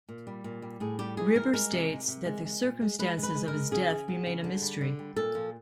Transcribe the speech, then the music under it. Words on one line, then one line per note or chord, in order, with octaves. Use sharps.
Riber states that the circumstances of his death remain a mystery.
A#2
G3
A#2
G3
A2 G#4
G3 G4
E3 G#4
G3 A#4
G#3 A#4
C3
C3
C3
G#3
G#3
A#2
G#3
G#3 B4
G#3
B4
G#3
A#4
G#3
C#3 G#4
C#3
F#3
C#3
D3
G3
D3
G3
A#2 A4
F3